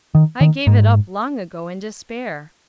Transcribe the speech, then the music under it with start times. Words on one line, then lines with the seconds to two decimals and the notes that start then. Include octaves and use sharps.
"I gave it up long ago in despair."
0.15 D#3
0.41 D#3
0.67 G#2